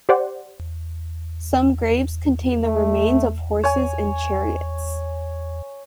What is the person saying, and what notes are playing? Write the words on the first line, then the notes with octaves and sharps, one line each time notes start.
Some graves contain the remains of horses and chariots.
G4 C5 D5 F#5
A3
C#5 G#5